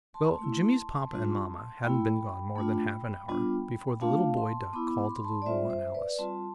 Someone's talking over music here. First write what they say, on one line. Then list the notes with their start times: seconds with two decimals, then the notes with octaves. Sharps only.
Well, Jimmie's papa and mamma hadn't been gone more than half an hour before the little boy duck called to Lulu and Alice.
0.14 A5 C6
0.39 A3 E4
1.11 G3 D4 F4
1.83 A3 E4 G5 B5
2.56 A3 D4 F4
3.29 G3 B3 D4 F4
4.01 A3 D4 F4 F5 A5
4.37 A5 C6
4.73 B3 E4 B5 D6
5.09 C6
5.17 B5
5.24 A5 C6
5.42 D5
5.46 G3 C4 F4 C5 E5
5.70 C5 E5
5.94 B4 D5
6.18 G3 C4 F4 A5 C6